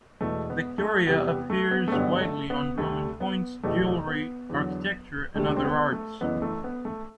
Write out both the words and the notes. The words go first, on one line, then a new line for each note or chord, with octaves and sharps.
Victoria appears widely on Roman coins, jewelry, architecture, and other arts.
E1 E2 B2 A3
B3
A3
E2 C3 G3 B3
B3
A3
B3
A3
A1 G2 D3 F#3 B3
A3
B3
D2 C3 G3 A3
B3
F#1 E2 B2 G3 A3
B3
E2 D3 F#3
E1 D2 C3 G3 A3
D4
C4
B3
A3
F#1 F#2 E3 B3
A3
B3
A3